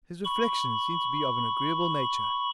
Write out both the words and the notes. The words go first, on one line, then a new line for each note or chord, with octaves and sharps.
His reflections seemed to be of an agreeable nature.
B5 C#6